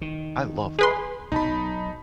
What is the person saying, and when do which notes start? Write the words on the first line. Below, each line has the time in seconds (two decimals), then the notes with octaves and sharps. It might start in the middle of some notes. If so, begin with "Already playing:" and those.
I love that.
0.01 D#3
0.79 G#4 B4 C6
1.32 B1 F#3 D#4 A5 B5